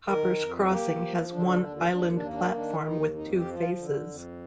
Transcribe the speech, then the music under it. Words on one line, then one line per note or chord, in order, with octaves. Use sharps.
Hoppers Crossing has one island platform with two faces.
D#3 A#4
F2
A#3 G4
F3
D3 D4
D4
D#2 D4
F4
D#2 D4
D4
A#3
D4
D#3 D4
D#2 D#4
F2 D#4
G4
F3
F4
D3
F2